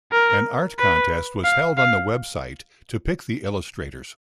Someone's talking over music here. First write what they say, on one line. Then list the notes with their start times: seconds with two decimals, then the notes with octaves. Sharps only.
An art contest was held on the website to pick the illustrators.
0.12 A#4
0.79 B4
1.44 F5
1.77 F5